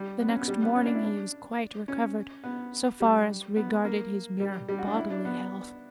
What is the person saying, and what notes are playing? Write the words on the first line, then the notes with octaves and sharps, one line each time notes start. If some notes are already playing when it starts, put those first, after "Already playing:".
The next morning he was quite recovered, so far as regarded his mere bodily health.
Already playing: G3
B3
C#4
B3
G3
B3
C#4
D4
E4
D4
C#4
B3
G3
B3
A#3
G3
G3
F#4
D4
E4
D4
B3